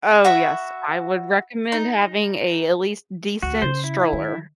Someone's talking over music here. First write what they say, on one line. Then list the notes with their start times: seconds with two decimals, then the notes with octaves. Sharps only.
Oh, yes. I would recommend having a, at least, decent stroller,
0.25 F#4 E5 B5
1.72 D#4
3.43 D2 F#4
3.62 C#3 C5
3.84 E4
4.13 D#3